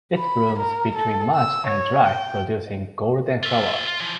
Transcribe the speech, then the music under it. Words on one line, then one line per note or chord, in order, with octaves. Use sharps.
It blooms between March and July producing golden flowers.
B5
A#4
A4
E6
C#5
G5
F4 E5
F4
E3 F3